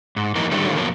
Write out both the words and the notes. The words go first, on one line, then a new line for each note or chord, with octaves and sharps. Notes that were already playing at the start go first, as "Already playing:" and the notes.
of my life."
G#2
F2 E3 A#3 D#4
A2 D3 D#3 G3 A3
F2 B2 F#3 A#3